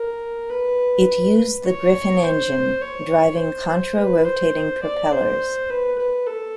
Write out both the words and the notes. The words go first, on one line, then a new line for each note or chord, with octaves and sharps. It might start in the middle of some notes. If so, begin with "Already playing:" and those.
It used the Griffon engine driving contra-rotating propellers.
Already playing: A#4
B4
B4
C#5
C5
C#5
C5
B4
C5
D5
C5
B4
B4
A4